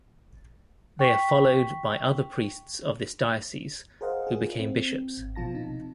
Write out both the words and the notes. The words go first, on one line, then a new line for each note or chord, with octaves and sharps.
They are followed by other priests of this diocese who became bishops.
G5 C#6 B6
G#4 A#4 C5 D#5 F5 F#5
F4 G#4
C4
G#1
B2 F3 F4 A5 A#6
C3 D#4